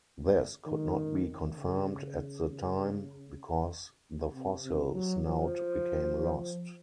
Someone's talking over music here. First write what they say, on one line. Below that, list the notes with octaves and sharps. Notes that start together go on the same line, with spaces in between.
This could not be confirmed at the time because the fossil snout became lost.
D#3
C#3
C3
C3
F#3
F3